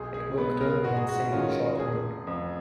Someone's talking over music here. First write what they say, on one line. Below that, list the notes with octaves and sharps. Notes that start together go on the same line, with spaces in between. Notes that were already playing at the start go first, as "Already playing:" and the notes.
It worked only in single-shot mode.
Already playing: B1 G#4
G#4
B2 G#3 B3 B4
A#4
G#2 F#4
G#4
F#4
D#3 G#3 C#4 F4
F1 G#4
F2 F3